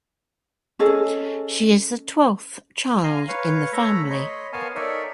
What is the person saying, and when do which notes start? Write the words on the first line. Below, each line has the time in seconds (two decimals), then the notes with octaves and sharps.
She is the twelfth child in the family.
0.79 C#4 G#4 A4 D#5
3.04 F5 G#5 A#5 C6
3.28 B4 C#5 F5
3.73 A3 C#5 E5 A#5 B5
4.10 C#5 D#5 B5 C6
4.53 B3 A#4 C#5 F5 G#5 A5
4.75 D#4 A4 A#4 C#5 D5 E5